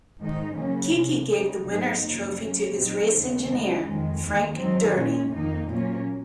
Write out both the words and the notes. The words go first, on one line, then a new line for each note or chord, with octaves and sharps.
Keke gave the winners trophy to his race engineer, Frank Dernie.
G#2 D#3 G#3 D#4
C#3 F#3 A#3 C#4
C3 F3 A#3
C#3 G#3 D#4
G#2 F#3 C4 D#4
F#2 C#3 F3 A#3 D#4
C#3 F#3 A#3 C#4
A#2 F#3 C4 D#4
D#2 C#3 G#3
C#3 G#3 D#4
F2 D#3 G#3
D#2 D#3 G#3
G#2 D#3 F#3 C4 D#4
A#2 G#3 C#4
F2 D#3 A#3 D#4
A#2 F#3 A#3 C#4